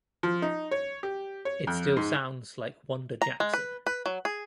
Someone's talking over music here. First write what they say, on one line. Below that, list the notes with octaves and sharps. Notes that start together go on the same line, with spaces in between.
It still sounds like Wanda Jackson.
F3
D#4
C#5
G4
C#5
F2
G#2
A#5
G#3
B4
B4
F#3
G#4